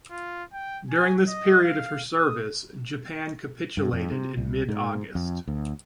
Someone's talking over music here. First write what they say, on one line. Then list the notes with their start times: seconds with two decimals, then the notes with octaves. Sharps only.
During this period of her service, Japan capitulated in mid-August.
0.11 F4
0.53 G5
0.91 G#5
1.28 D#5
1.64 F5
2.14 D#6
3.77 G2
3.93 F2
4.11 C3
4.37 C2
4.68 G#2
5.15 F2
5.47 D2